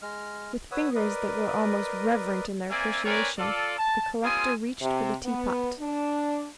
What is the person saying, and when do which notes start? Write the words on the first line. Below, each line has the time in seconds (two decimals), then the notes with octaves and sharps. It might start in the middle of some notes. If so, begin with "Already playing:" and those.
With fingers that were almost reverent in their appreciation, the collector reached for the teapot.
0.02 G#3 F6
0.72 B4 C#5 F#5 D#6 E6
0.95 A#4 B4 D5 D#5
2.70 A#3 C4 D5 E5 G#5
3.04 C4 A#4 B4 C#5 D5 G#5
3.38 F4 A4 D5
3.78 A5
4.23 G3 A#3 C4 F4 G#5 D#6
4.81 C3
5.25 B3
5.80 D4